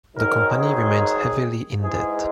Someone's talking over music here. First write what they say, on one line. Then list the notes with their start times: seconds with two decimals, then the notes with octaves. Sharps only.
The company remains heavily in debt.
0.15 G#2 D#3 F#3 A#4
0.57 G#4
1.80 G#2 E3 G#3 G#4